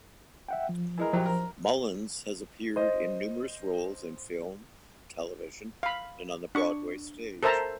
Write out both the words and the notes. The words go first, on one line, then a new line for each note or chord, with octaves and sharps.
Mullins has appeared in numerous roles in film, television and on the Broadway stage.
E5 F#5 G5
F3
E3 G#3 A#4
A#1 F3 F#3 G4 C5
A#4
C5 D#5
F5 B5
D4 C#6
A4 A#4 C5 E5 A5 A#5